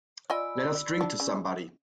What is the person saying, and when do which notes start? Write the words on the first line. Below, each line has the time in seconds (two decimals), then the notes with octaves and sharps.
Let us drink to somebody.
0.30 F4 D5 D#5 G#5 B5 E6
1.01 D4
1.20 C#3